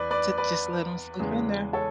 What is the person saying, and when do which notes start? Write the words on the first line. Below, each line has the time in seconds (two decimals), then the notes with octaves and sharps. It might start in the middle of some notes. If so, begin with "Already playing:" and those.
To just let 'em sleep in there.
Already playing: E2 B4 D5
0.11 B4 D5
0.38 B4 D5
1.19 E2 C#3 G#3
1.73 A4 C#5